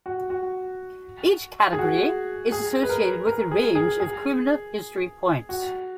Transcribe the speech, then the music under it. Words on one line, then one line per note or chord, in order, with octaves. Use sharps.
Each category is associated with a range of criminal history points.
F#4
F#4
G#4
F#4
G#4
B4
A#4
A#4
G#4
G#4
G#4
F#4